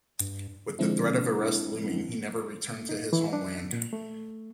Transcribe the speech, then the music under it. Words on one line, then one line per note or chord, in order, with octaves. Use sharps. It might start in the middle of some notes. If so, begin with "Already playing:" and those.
With the threat of arrest looming, he never returned to his homeland.
G2
D3 F3 G#3 C4 D4 E4
D#4
E3
D4
A#2
A3